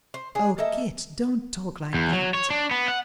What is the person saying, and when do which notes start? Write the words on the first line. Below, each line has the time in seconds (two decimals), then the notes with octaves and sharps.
'Oh, Kit, don't talk like that.'
0.14 C5
0.35 D4 G#4
0.58 A#3 A4 D#5 E5
1.94 E2
2.13 F#3
2.34 C#5
2.50 D4
2.71 B3
2.88 F#5